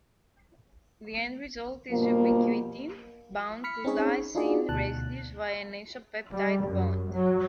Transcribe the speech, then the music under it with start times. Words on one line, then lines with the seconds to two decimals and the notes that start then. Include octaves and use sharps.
The end result is ubiquitin bound to lysine residues via an isopeptide bond.
1.90 G2 B2 F3 A#3
3.64 B5 F6 B6 C#7
3.85 C4 C#4 D#4 G#4 C#5
4.35 D4 D#4 F4 F#4 G#4 D5
4.69 D2 B2 A5 F#6
6.34 G3
6.67 F#2
7.14 F#3